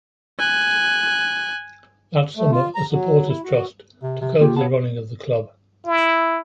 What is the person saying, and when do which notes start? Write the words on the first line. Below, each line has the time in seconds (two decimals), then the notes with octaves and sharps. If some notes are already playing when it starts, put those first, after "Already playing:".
That summer, a supporters' trust took over the running of the club.
0.39 G#5 F#6
2.37 A3
2.52 F4
2.75 A#5
2.91 F#3
3.28 E4
3.44 F#4
4.02 C3
4.21 C3
4.41 A#3 F4 G4 G#4
4.56 B3 C#5 F5 A5
5.87 E4